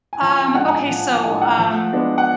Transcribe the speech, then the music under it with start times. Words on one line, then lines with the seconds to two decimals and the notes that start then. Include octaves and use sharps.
Um, okay, so, um,
0.13 G#5
0.21 F3 A5
0.39 G#5
0.55 G#3 D4 F#5
0.73 G#5
0.89 F3
1.15 A5
1.24 G#3 D4 G#5
1.42 F#5
1.58 F3
1.93 G#3 B3 D4
2.18 F#5